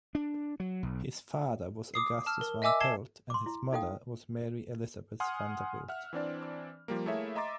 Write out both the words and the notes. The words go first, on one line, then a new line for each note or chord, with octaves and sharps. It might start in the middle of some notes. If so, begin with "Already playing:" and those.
His father was Augustus Van Pelt and his mother was Mary Elizabeth Vanderbilt.
D4
F#3
B1
D6 D#6 C7
A5 E6 F6
A#4
D#5 E5 G#5 D6 E6
A5 G#6 C7 E7 G7
C6 D6
E4
D#4 A4 F5 G5 D#6
F#5 G#5 C6 D#6 F6
E5 F#5 F6
E3 C4 D4 D5
F3 G3 A#3
A3 A#3 E4 G#4 C#5 E5
D#5 E5 A#5 C6 D6 A6